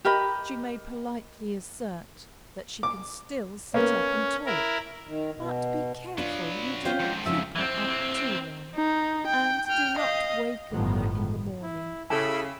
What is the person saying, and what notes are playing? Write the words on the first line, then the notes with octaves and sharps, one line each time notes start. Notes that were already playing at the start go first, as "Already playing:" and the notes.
She may politely assert that she can still sit up and talk, but be careful you do not keep her up too long; and do not waken her in the morning.
G4 A#4 D#5 B5
D6
A#3 B3 C#4
E4 A#4
D#3
B2
F#3 D4 F4 B4
C#4 F4 C5 G5
F2 G#2
C#3 F3 E5
E3 C4
D#4
G5
G5 F6
D#5 F5
G1 A2 D#3 F3 B3
E4
C#3 E4 G4 A4 A5 B5 E6